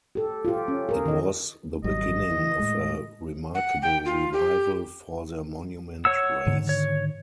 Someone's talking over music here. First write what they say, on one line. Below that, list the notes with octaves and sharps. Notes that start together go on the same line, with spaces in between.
It was the beginning of a remarkable revival for the Monument race.
G4 A4
F4 G4
C#4
G#4 A#4
D#3 D#5
G#1 F#3 G3 D#5
E3
A2 G#3
F#5
G5
F4
G4
C#5 F#5 E6
G#2 D3 D#3
C#5